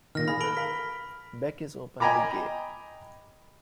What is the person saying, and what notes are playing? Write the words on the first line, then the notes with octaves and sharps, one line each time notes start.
Beck is openly gay.
A#2 D#3 F6 A#6
G#4 F5 B5
A4 B4 B5 D7 G7
A#4 F5 B6
D#5 G5 G#5 A#5 B5 D6